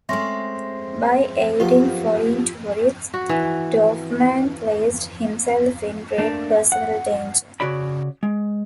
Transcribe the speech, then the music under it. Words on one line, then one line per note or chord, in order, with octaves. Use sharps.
By aiding foreign tourists, Dorfman placed himself in great personal danger.
G#3 A3 C4 C#4 E5 C6 A#6
F#2 F3 B3 F4 G4
F#4
E3
A3 A#3 D4
F#5
C#3 F#4 C#5 D5 B5
G#3